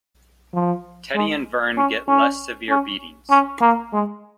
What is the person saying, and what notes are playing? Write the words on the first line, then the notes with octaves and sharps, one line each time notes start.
Teddy and Vern get less severe beatings.
F3
G#3
C#4
C#4
C#4
C#4
A#3
G#3